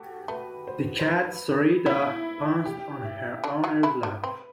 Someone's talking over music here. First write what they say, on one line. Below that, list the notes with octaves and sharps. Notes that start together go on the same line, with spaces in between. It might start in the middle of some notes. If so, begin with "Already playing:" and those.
The cat Sarita pounced on her owner's lap.
Already playing: F#4 G4 A4
A3 B4
C5
C5
B4
B3 E4
G4
E5
D3 D4
F#3 F#4
E3 E4
D3 D4
C4 B4